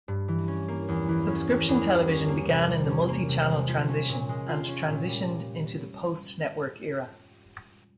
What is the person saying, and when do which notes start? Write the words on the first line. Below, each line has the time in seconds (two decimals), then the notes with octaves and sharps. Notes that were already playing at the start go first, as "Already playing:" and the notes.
Subscription television began in the multi-channel transition and transitioned into the post-network era.
0.08 G2
0.28 E3
0.48 C#4
0.68 A#3
0.88 E2
1.08 E3
1.28 C#4
1.48 A#3
1.68 E2
1.88 G3
2.08 C#4
2.28 A#3
2.49 C3
2.68 G3
2.89 C#4
3.08 A#3
3.28 C3
3.48 G#3
3.69 F4
3.89 C#4
4.09 A#2
4.29 G#3
4.49 F4
4.69 C#4
4.88 A#2
5.08 G3